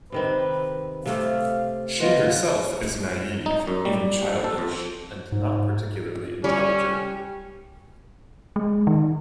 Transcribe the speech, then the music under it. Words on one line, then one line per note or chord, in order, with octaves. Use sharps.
She herself is naive, even childish, and not particularly intelligent.
C3 D#3 C4 B4
C3 A3 A4 F5
E2 F4 B4 D#5
D#4
F#2
G3
A#1
A4
F2
G#2
G3 C#4
G#3
D#3